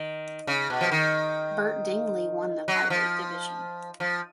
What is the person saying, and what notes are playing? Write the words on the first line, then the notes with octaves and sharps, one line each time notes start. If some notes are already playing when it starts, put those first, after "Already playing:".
Bert Dingley won the lightweight division.
Already playing: D#3
C#3
B2
F3
D#3
F#3
F3
F3